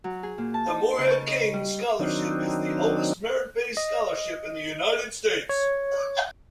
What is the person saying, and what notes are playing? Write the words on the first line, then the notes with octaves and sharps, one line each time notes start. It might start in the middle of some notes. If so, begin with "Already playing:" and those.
The Morehead-Cain Scholarship is the oldest merit-based scholarship in the United States.
F#3
G#4
A#2
A5
D#4
C#3
C#6
D#5
G3
D#3 F#3 C4 D4 D#4
D#5
C#5